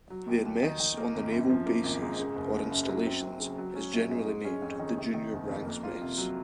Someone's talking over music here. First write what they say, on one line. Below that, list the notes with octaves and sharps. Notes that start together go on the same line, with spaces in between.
Their mess on naval bases or installations is generally named the "junior ranks mess".
F#3
D#2
D#2
D#3
D#3
A#3
G#1
F#2
F3
A#3
G#1
G#2
C#3
F#1
F#1
F#2
F#3
C4
F#2
C#3
F#3
C#4
A#1
G#2
G#3
C#4
F2
D#3
C3
D#3
F#1
F2
A#3
F4
C3
F#3